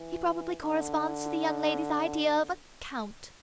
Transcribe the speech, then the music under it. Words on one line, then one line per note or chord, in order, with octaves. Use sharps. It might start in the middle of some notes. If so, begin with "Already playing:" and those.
He probably corresponds to the young lady's idea of a count.
Already playing: E3
D3